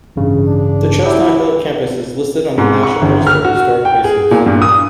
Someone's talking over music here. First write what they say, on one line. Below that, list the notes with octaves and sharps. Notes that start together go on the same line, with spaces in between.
The Chestnut Hill campus is listed on the National Register of Historic Places.
A1 G2 C#3
D4
E4 G4
G#2
C#6
G1
F6
F#4
G5
G#4
A#2
G2
D#6